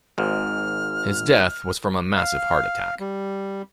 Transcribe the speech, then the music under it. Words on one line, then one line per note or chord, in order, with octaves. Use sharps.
His death was from a massive heart attack.
G#1 G#2 F6
F5
G3